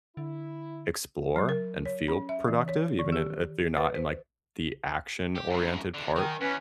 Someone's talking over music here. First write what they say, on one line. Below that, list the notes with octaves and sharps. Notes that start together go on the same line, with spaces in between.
explore and feel productive even i if you're not in, like, the action-oriented part
D3 E4
F#3
A#4
C#5
C#4
E5
E3
C#5
D#3
G4
B4
C5
G4
F#2 A2
E2 D3
D#3 F#3 G#5
E2 C#4 B4